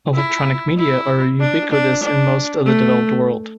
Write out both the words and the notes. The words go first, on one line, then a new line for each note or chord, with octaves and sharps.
Electronic media are ubiquitous in most of the developed world.
E4
E4
D4
D4
D4
A3